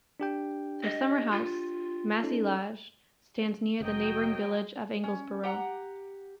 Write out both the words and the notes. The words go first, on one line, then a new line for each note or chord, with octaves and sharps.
Their Summer house, Massy Lodge, stands near the neighbouring village of Anglesborough.
D4 G4 G5
D#5
F4
C#4 D#4 A4
F1 F#3 D#5 G5
C#4
G4 F#5 A#5